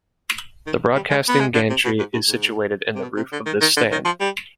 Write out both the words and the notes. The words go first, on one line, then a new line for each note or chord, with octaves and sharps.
The broadcasting gantry is situated in the roof of this stand.
D#3
G3
G#3
B3
G#3
D3
C3
B2
G#2
G2
G#2
C3
B2
C3
D3
D#3
D#3
D3
D#3
F3
G3